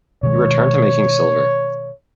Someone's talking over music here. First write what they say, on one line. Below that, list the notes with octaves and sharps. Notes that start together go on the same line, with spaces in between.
He returned to making silver.
B2 D#3 G#3 C#5